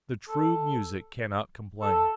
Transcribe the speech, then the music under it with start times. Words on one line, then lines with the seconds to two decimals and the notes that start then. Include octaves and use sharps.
The true music cannot complain.
0.28 A4
1.82 A4